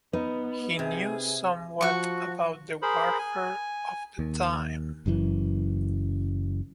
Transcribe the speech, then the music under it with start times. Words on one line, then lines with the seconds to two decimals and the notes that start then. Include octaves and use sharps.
He knew somewhat about the warfare of the time.
0.13 B3 D#4 B4
0.79 C3 G#4
1.81 F3 F#4 C#6
2.82 G#4 A#4 C5 B5
3.19 G#5
4.19 D#2
5.06 F#1 F#2 B2 E3